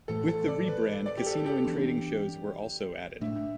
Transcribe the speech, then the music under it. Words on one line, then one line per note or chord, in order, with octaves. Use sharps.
With the rebrand, casino and trading shows were also added.
A2 E3 A3 A4
A4
D5
B4
D5
G4
A4
G4
E3 B3 D4
A2 A3 D4 E5